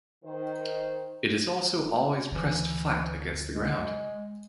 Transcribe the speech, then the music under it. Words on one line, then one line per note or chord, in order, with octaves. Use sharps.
It is also always pressed flat against the ground.
D#3 C5
D2 E3
G#3